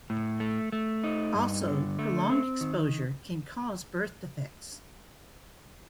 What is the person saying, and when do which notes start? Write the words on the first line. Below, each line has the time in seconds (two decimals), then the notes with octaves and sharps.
Also, prolonged exposure can cause birth defects.
0.10 A2
0.40 A3
0.72 A3
1.04 D#4
1.35 G2
1.67 D3
1.99 A3
2.30 C4
2.61 D#3